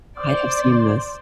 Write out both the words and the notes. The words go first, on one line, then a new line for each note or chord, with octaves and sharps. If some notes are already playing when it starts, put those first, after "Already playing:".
I have seen this.
C5 D5